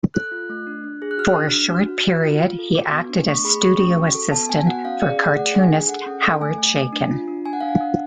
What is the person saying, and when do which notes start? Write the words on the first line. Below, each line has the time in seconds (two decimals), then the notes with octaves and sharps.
For a short period he acted as studio assistant for cartoonist Howard Chaykin.
0.14 A4 F#6
0.32 F4
0.49 A3
0.67 D4
0.84 D4
1.02 G#4
1.11 F#6
1.18 F#4 F6
1.36 D4
1.53 D4
1.71 F#4
1.89 F#4
2.05 F#4
2.23 F4
2.40 F4
2.58 A4
2.75 F#4 D6
2.92 B3
3.09 D4
3.27 A3 C#6
3.44 G#4 B5
3.62 A3 C#6
3.79 C#4 C#6
3.97 F#4
4.15 A4
4.32 B3 A5
4.49 B3 G#5
4.66 F#4 F#5
4.85 C#4 F5
5.02 G#4 D5
5.19 G#4 D5
5.36 A3 F#5
5.54 D4
5.62 G#5
5.72 G#4
5.89 A4 F#5
6.06 C#4
6.23 A4
6.41 A3 G#5
6.58 A3
6.76 A3
6.93 D4
7.11 F4
7.28 D4
7.45 D4 G#5
7.53 F#5
7.61 D4 F5
7.68 F#5
7.81 D4